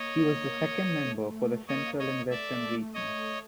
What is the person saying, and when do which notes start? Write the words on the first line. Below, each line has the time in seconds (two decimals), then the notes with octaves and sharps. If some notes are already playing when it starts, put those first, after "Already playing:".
She was the Second Member for the Central and Western Regions.
Already playing: A#3 C#5 D#5
1.05 A3
1.68 A#3 C#5 D#5
1.99 C#5 D#5
2.31 A3 D5 E5
2.94 C#5 D#5